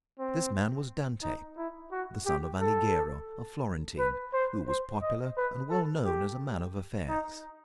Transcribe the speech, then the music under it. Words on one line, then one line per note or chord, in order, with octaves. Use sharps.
This man was Dante, the son of Alighiero, a Florentine who was popular and well known as a man of affairs.
C4
D#4
E4
F#4
G4
A4
B4
C5
C5
D#5
B4
A4
G4
D#4